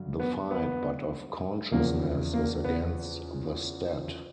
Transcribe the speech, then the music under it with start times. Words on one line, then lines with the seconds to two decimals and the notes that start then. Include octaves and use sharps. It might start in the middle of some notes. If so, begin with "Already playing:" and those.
The fight, but of consciousness, is against the Stat.
Already playing: G2 D3 F#3
0.20 B3
0.51 B3
1.72 E2 C#3 F3 A#3
2.34 A#3
2.65 B3